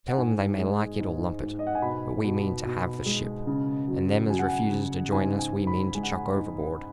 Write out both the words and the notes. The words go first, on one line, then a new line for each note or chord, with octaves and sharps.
Tell 'em they may like it or lump it, but we mean to have the ship, and them as refuses to join us we mean to chuck overboard.
F#5
G#2 G#5
G#3
G#2
G#2
D#5
F#5
G#5
B2 B5
B2
B2
G#3
C#3
F#3
F#3 G#5
F#5
G#5
C#3
G#2 G#5
G#5
D#4
B5
G#3 G#5
F#5
G#5
D#4